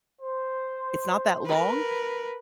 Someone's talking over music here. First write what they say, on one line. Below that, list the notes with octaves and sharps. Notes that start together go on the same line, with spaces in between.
it's not that long,
C5
A#4 B4